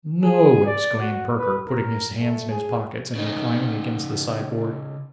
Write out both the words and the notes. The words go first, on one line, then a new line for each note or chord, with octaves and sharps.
'No!' exclaimed Perker, putting his hands in his pockets, and reclining against the sideboard.
G#4
D5
F#4
B4
A#4
A3
G#4
C#3 D#4